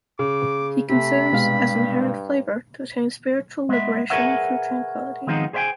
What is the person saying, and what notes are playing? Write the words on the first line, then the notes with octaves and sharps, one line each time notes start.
He considers as inherent flavor to attain spiritual liberation through tranquility.
C#3 D6
C3 A3 B5
G2 B2 G#3 F5
G#3 B3 E5
G#4 A#4 B4 C#5 E5 F#5
D#3 F3 G#3 B3 C4 D#4
G#4 C5 C#5 E5 G5 G#5